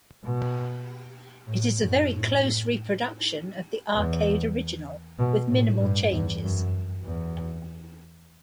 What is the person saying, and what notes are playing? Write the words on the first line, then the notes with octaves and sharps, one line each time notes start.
It is a very close reproduction of the arcade original, with minimal changes.
B2
A2
F#2
A2
E2
B2
A2
G2
E2
F#2
E2